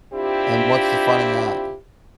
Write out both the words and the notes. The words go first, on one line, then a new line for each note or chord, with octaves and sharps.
And what's the fun in that?
C4 D4 E4 F4 G4